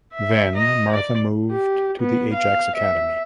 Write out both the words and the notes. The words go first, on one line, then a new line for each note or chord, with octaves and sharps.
Then Martha moved to the Ajax academy.
E5
D#5 A#5
D5
G4
B3
F5
E5